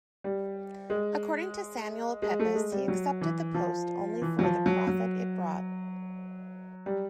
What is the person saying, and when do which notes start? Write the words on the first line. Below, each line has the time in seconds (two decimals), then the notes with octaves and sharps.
According to Samuel Pepys, he accepted the post only for the profit it brought.
0.24 G3
0.90 G#3
2.22 G#3
2.40 A3
2.55 G#3
2.72 G3
2.88 F#3
3.21 E3
3.54 F3
4.22 E3
4.39 F#3
4.43 F3
4.66 F#3
4.87 F#3
6.86 G3